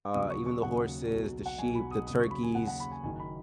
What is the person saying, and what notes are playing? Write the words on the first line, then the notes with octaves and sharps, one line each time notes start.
uh, even the horses, the sheep, the turkeys,
D#2 C#3 F#3 D#6
C#6
C#6
D#2 C#3 F#3 F#5
B1 B2 F#3
F#5
B1 B2 F#3 G#5
B5
D#6
D#2 C#3 F#3 D#6
C#6
B5
G#5
D#2 C#3 F#3 F#5
F#5
B5
G#5
F#1 F#2 D#3 G#5
B5